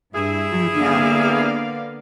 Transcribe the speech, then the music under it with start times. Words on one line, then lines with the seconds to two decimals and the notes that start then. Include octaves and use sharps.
Mm, yeah.
0.15 G2 E4 G#4
0.77 D3 A#3 B3 D5 F5